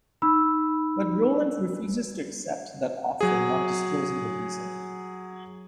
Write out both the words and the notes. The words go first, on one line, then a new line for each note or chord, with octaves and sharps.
But Roland refuses to accept that offer not disclosing the reason.
D#4 B5 E6
F#3 G#4